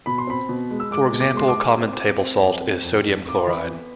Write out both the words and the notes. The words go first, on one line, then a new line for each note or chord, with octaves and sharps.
For example, common table salt is sodium chloride.
B2 B5
C6
C4 B5
B2
G#3
E6
G#3 D6
B2
D6
G#3 C6
D6
G#3
C4
C4
C4
F2
C4
F2
F2
F2 D6
C6
E3 B5
B3